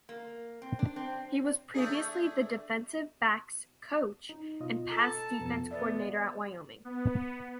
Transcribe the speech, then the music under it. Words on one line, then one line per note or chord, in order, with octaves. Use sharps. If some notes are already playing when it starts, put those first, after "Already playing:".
He was previously the defensive backs coach and pass defense coordinator at Wyoming.
A#3
C4
D4
C4
A3 D4 G#4
D#4
B2 F4 D#5
A4 A5 A#5
F2 B2 B3
B3 D5 E5
B3